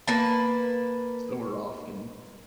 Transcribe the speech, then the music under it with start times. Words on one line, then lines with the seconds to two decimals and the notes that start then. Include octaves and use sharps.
so we're off and
0.07 A#3 B4 A5